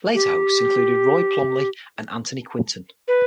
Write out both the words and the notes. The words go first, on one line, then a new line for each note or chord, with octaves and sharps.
Later hosts included Roy Plomley and Anthony Quinton.
G4
B4